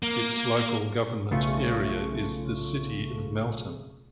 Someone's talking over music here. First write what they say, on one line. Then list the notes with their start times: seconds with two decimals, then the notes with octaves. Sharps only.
Its local government area is the City of Melton.
0.02 A#3
1.31 B1 C#3 A3 F4 C#6